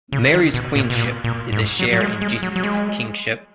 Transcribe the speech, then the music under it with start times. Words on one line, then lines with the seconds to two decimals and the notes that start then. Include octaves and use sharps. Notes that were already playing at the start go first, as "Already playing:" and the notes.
Mary's queenship is a share in Jesus' kingship.
0.12 C#3
0.34 D#3
0.54 B2
0.75 A#2
0.90 B2
0.96 A#2
1.24 A#2
1.52 G#2
1.80 F#3
1.93 F#3
2.01 G#3
2.21 G#3
2.43 F#3
2.56 F#3
2.64 G#3